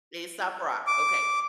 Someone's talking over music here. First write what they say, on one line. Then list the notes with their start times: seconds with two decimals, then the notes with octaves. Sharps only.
Aesop Rock, okay.
0.87 D6